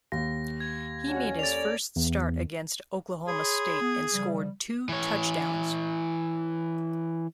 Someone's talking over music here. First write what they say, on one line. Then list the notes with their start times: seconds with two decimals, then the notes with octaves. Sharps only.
He made his first start against Oklahoma State and scored two touchdowns.
0.12 D#2 A#6
0.60 G#6
1.08 G#3 C#4 D4 F#4
1.39 A#3 A4 D5 A6 F7
1.96 E2
3.28 G#4 C#5 B5 C6
3.81 B3
4.12 C#3 F3 G3
4.89 E3 C#5